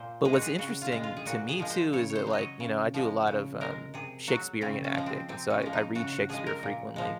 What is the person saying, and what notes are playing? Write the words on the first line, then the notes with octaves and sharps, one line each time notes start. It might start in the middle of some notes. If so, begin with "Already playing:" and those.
But what's interesting to me, too, is that, like, you know, I do a lot of, um, Shakespearean acting and so I I read Shakespeare frequently,
Already playing: A#2 C5
G#3 G#4
F#4
G#4
C#3 F#4
F4
G#3
F4
G#4
A#2 F#4
G#4
F3 G#3
C5
C#3 C#5
C#5
C5
F#3
C#5 D#5
C#3
F3 G#3
C#3
G#3 A#4
C3 G#4
F#3 F#4
C#3 C4
C#4
F3 G#3
C4
C3 C4
C#4
F3 G#3
D#4
C#3 F#4
F#4
F3 G#3 G#4
A#4
A#2
F3 G#3